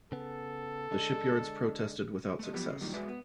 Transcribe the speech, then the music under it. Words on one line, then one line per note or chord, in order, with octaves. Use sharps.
The shipyards protested without success.
C#3 B3 A4
D3 G#3 D4
A3 D#5
F3 F#3 B3 G4 B4
C#3
G2 A#2 D#3 F#3 G4
G#3 F#4 B4 D5 E5
B3